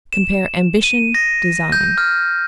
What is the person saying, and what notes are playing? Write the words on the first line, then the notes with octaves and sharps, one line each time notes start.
Compare AMBITION; DESIGN.
E7
D#7
A#6
G6
F6